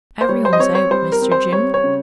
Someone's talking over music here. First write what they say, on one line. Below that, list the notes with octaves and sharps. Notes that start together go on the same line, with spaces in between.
"Every one's out, Mr. Jim."
C5
G3 C#5
C5
D#5
C4 C#5
C#5
G3 C5
A#4
C4
C5
G3 C#5
C#5
C#3